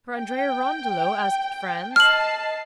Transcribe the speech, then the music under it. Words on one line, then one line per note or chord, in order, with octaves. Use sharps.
"For Andrea Rondolo?" asked Franz.
G5
D#5 A5 F6 C7 F#7